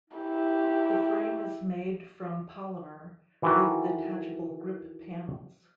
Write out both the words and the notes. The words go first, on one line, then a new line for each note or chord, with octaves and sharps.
The frame is made from polymer, with detachable grip panels.
E4 G4
D#3 E3 E4 F#4 A4 B4